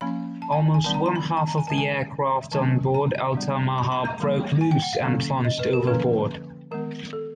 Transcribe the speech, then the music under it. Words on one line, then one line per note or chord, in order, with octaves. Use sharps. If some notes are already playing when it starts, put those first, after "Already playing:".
Almost one-half of the aircraft on board "Altamaha" broke loose and plunged overboard.
F3 A#3 C#4 B5
A5
G#5
G#5
E3 G3 B3 D4 A5
A#5
A#5
B5
A5
A#5
G#5
D#3 G#3 C#4 A5
G#5
D#3 F#3 A3 C#4 A5
A#5
G3 B3 D4
B5
B5
A#5
E3 G3 A#3
G#5
G5
F#5
F5
D3 F#3 A#3 C#4
D#5
B4
A#4
D3 F3 A#3 C#4 B4
D#3 G#3 B3 A#4
A4